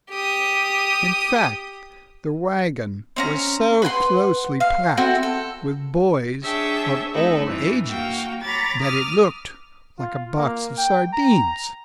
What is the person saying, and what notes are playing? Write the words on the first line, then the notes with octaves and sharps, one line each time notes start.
In fact the wagon was so closely packed with boys of all ages that it looked like a box of sardines.
G4 D#6
C4 C#4 A#5
B4 F#5 G#5 C6
F5
C4 E4 F#4 A4
A4
D4 G#4 C#5 E5 G5 A5
A3 C4 D#4 E4 A4
G2 E3
A#3 F#4 F5 G5
C#5 A#5 B5 D6 A6
D6 D#6 F6
F4
A#3
G5
A#5